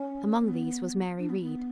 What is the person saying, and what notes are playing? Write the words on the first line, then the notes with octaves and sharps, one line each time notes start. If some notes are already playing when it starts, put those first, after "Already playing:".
Among these was Mary Read.
Already playing: C#4
B3
D4
B3
B3